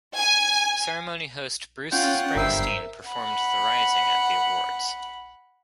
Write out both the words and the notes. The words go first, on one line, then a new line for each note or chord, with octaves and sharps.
Ceremony host Bruce Springsteen performed "The Rising" at the Awards.
G#5
C#4 F4 F#5 G5
G1 G2 A#4 C5 E5 E6 C7
F#5 B5